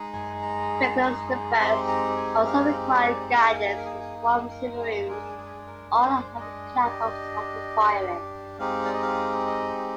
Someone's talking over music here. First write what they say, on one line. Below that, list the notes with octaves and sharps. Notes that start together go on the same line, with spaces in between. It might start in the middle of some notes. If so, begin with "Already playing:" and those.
Regulus I also required guidance from submarines or other platforms after firing.
Already playing: G#3 D#4 G#4
G#5
A#5
G#3 C4 D#4 G4 C6
A#5
G#5
F5
D5
C5
A#3 D#4 G#4 A#4
A#4
G#4
G#4
G#4
A#4
G#4
G#3 D4 G#4 A#4
G#4
A#4
C5
D#5
D4 G4
G#3 C4 D#4 G4 F5
D5
D#5
F5
D#5